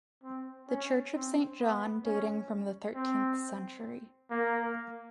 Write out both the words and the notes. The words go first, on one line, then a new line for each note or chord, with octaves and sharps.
The church of Saint John, dating from the thirteenth century.
C4
C#4
C4
B3
C#4
C4
A#3